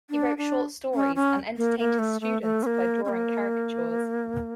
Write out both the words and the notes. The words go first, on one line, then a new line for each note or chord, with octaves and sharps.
He wrote short stories and entertained his students by drawing caricatures.
D4
D4
C#4
C#4
A#3
A#3
A3
A3
A3
C#4
A#3
C#4
A#3